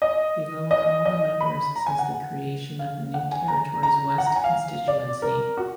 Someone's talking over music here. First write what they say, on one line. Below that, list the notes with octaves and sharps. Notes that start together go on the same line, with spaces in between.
Below are all the members since the creation of the New Territories West constituency.
D#5
D#5
D#5
B5
A#5
G#5
F#5
F5
F#5
G#5
A#5
A#5
F#5
A#5
G#5
F5
D5
A#4
F#4